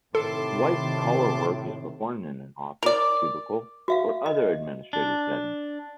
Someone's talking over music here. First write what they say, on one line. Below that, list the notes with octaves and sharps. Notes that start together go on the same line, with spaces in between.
White-collar work is performed in an office, cubicle, or other administrative setting.
A2 C3 D#3 A4 A5 C6 D6
A#4 D5
F#4 E5 F5
D#5
D4